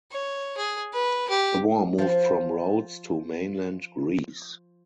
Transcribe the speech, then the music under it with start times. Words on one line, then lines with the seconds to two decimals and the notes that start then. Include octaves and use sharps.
The war moved from Rhodes to mainland Greece.
0.12 C#5
0.57 G#4
0.93 B4
1.30 G4
1.98 F3 C5